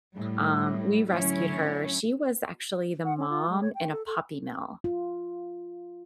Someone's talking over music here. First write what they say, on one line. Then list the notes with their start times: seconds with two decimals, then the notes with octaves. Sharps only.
Um, we rescued her. She was actually the mom in a puppy mill.
0.14 A2 G3
1.10 A2 D3 F#3 C#4 E4 C#5
3.05 F#5
3.17 C#4
3.29 F4
3.49 G#3
3.61 C#5
3.75 G5
3.91 A4
4.06 A4
4.84 F4